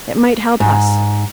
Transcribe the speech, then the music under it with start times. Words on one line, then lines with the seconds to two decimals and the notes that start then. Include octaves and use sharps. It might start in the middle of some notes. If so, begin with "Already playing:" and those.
It might help us.
0.60 G#2